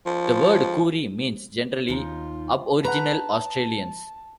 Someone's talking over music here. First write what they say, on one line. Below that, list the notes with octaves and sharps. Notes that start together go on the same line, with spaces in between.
The word "Koori" means, generally, aboriginal Australians.
F3
D#2 D#4 F4
B4 F#5 A5 A#5